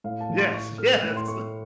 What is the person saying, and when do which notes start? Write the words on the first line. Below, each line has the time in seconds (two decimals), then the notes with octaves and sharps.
Yes, yes!
0.04 A2 F5
0.21 A5
0.30 F3 A3
0.38 C6
0.53 A2 C#6
0.78 A3 F6
1.02 A2 F#6
1.16 C6
1.28 A3 C#6